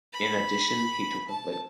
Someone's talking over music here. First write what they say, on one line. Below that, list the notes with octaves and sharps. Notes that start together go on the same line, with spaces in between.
In addition, he took a Litt.
B5
A5